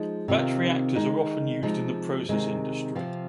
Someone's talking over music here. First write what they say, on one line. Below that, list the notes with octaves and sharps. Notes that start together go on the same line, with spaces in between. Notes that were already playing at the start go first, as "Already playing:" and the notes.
Batch reactors are often used in the process industry.
Already playing: F3 G#3 D#4
C3 D#3 C4 F4
D#3 G#3 D#4
C3 F3 G#3 D#4
C3 D#3 G#3 C4
C3 F3 C4 F4